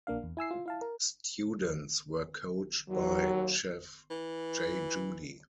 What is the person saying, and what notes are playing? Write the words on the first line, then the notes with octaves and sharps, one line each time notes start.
Students were coached by Chef Jay Judy.
A#1 A#3 D4 F5
E2
E4 G#5 E6 C7
F4
E4 F5 A5
A#4
D#2 F#3
E3